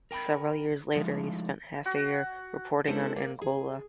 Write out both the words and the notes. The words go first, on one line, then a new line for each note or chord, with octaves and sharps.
Several years later he spent half a year reporting on Angola.
A#4 G5 G#5 B5
F3 G#3 A3 D#4 E4
F#4
G#3 B3 D4 E4 A4 C5
A#3
G#4